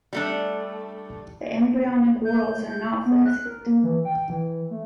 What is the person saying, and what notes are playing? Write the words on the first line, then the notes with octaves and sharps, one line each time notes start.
The embryonic whorls are not flattened.
G3 A3 D4
G6
B3
F#6
A#4
A#3
E3
G5
E3
A3